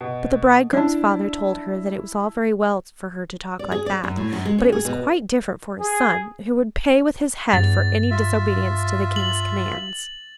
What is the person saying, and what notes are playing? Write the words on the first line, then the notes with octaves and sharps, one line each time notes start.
But the bridegroom's father told her that it was all very well for her to talk like that, but it was quite different for his son, who would pay with his head for any disobedience to the king's commands.
B2
D4 E4 A5
D5
G#4
D5
F#2
A2
F#2
G#3
C#4
G#4
B2
G#4
E2 G2 A6
F4 E5
F#7